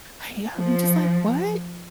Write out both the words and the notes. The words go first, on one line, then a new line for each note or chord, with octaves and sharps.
I am just like, "What?"
F3